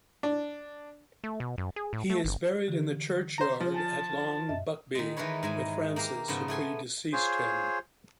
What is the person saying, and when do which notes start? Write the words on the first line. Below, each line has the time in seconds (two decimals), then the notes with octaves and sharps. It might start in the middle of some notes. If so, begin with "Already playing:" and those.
He is buried in the churchyard at Long Buckby, with Frances, who pre-deceased him.
0.23 D4
1.24 A3
1.40 B2
1.58 F#2
1.76 G#4
1.93 A2
2.10 A3
2.24 G1
2.68 D3 E3 G4
3.38 C5 A#5
3.60 F3
3.74 G#5 A5
4.49 F#2 D#5 E5
4.95 D#3 G#3
5.17 D#3 E3 G#3 A#4 B4 C#5
5.43 G#2 G#3 G#5
5.96 A#3 G4 A#4 F5
6.28 G#2 C#3 F3 B3
6.48 A3 B3 G#5 C6
7.13 F4 G#4 C5 C#5